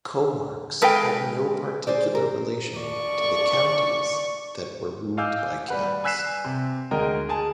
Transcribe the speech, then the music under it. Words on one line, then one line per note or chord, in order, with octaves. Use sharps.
Comarques have no particular relation to the "counties" that were ruled by counts.
G#3 A4 B4 F5 G5
G#4 C5 D5
G#2 A#4
D5 C#6
D#5 F5 G#5 D6 E6 G6
G3 B4 F#5
G#5 E6 F#6 B6 C7 E7
C3
D2 G#3 A#4 D#5 G5 A#5
G#4 G#5 A5